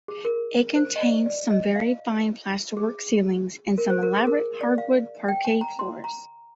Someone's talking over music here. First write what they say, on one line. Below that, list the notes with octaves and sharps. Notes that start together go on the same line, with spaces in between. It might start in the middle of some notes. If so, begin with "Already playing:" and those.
It contains some very fine plasterwork ceilings and some elaborate hardwood parquet floors.
G#4
A#4
C5
D#5
D5
D5
D#5
F5
G#4
A#4
C5
A#4
G#4
A#4
D5
F5
G5
G#5
A#5
C6
A#5